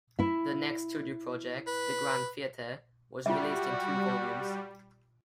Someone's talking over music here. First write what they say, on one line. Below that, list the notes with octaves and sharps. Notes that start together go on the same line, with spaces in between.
Their next studio project, "The Grand Theatre", was released in two volumes.
E4 E5
B4
G3 F4 F#4 E5